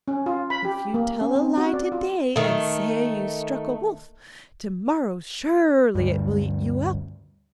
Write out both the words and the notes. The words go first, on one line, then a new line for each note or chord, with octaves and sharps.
If you tell a lie to-day and say you struck a wolf, to-morrow surely it will eat you up.'
C#4
F4
B5
G4
A#3
C#4
C4
F#4
D5
F4
D#3 A3
D2 G2